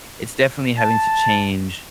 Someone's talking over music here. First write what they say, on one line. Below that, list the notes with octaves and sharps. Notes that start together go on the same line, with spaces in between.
it's definitely having to change,
A5